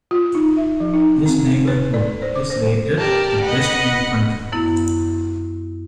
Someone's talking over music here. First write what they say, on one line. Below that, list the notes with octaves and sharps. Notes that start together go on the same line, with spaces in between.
This neighbourhood is rated the best in the country.
F4
D#4
E5
F3
D#4
C4
B4
D5
C5
D6
C5
G4 A#4 D5 A5
B4 D#5 F#5
F#2 B3 E4